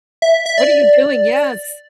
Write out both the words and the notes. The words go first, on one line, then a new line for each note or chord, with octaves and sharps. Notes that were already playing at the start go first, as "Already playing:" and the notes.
What are you doing? Yes.
E5
E5
D5